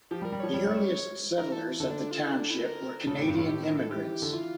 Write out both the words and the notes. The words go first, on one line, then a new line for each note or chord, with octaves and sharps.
The earliest settlers of the township were Canadian immigrants.
F3 G4
G3
A#4
G3
F3 C#5
G3
G3
E3 A#4
A4
D3 A4
D4
D4
F4
E4
D4
E4
A#4
C#3 A4
A2 G4
G2
A2 F4
G4
A#4
A4
E3 G4
D3
E3 F4